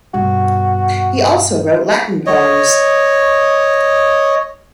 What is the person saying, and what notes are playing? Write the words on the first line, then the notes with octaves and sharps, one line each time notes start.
He also wrote Latin poems.
G2 B2 F#4
C#5 D#5